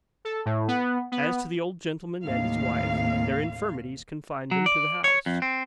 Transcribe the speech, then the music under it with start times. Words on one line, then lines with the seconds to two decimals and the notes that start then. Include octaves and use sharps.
As to the old gentleman and his wife, their infirmities confined them to the house.
0.25 A4
0.46 A2
0.68 B3
1.12 B3
2.25 D#2 A2 C3 F5
4.51 F#3
4.66 D5
5.04 C#5
5.26 F2
5.42 C4